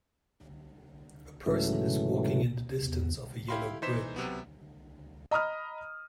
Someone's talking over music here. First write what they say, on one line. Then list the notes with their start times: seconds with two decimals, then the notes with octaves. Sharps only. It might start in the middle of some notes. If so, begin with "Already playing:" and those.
A person is walking in the distance of a yellow bridge.
1.46 G#2 C#3 E3 F#3 A3
2.83 E2
3.48 E4 G4 F5 B5 C6
3.82 E3 D#4 C5 B6 E7
4.16 C3 F#3 B3
5.31 D#5 A#5 B5 D#6 F6